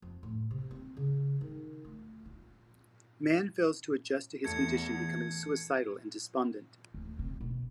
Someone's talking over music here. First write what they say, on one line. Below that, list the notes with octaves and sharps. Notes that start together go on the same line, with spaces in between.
Mann fails to adjust to his condition, becoming suicidal and despondent.
F2
A2
C3
C4
C#3
D#3
D2
F4
E2 A3 G#6 C#7
D2
C3
B2